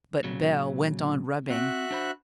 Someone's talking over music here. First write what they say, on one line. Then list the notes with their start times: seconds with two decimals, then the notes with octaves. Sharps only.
But Bell went on rubbing.
0.24 A#2 C#3 F#3
1.50 C4 F#4 E5 F#6
1.91 D4 C5 B5